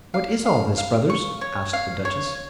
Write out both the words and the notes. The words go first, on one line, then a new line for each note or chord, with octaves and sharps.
"What is all this, brothers?" asked the duchess.
F5
F5
F5
C#6
C#5
F5
C#5